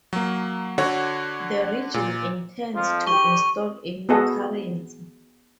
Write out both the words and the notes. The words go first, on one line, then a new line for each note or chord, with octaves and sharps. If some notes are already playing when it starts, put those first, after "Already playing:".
The regime intends to install a new currency.
F#3 A#3
D3 F#4 C#5
A#2
F2 F3
D3 G4 C#6 G7
B3 F#4 G#4 A4 D#5 F#5